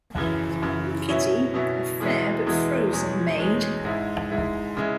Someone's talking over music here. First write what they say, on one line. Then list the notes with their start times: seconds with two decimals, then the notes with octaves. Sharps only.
Kitty, a fair but frozen maid.
0.16 F#2 C#3 E3
0.62 F#2 C#3 E3
1.08 B2 F#3 C#4 E4
1.54 B2 F#3 C#4 E4
2.00 E2 B2 G#3 B3 E4
2.46 E2 B2 G#3 B3 E4
2.93 E2 B2 G#3 C#4
3.38 E2 B2 G#3 C#4
3.85 G#2 G#3 E4
4.30 G#2 G#3 E4
4.77 C#3 G#3 E4